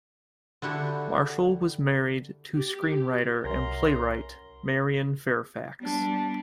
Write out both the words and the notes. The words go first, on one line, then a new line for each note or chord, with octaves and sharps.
Marshall was married to screenwriter and playwright Marion Fairfax.
D3 D4 E4 F#4 G4 A4
G4
C2 F#2 A#4 A#5 C6
G3 B3 D4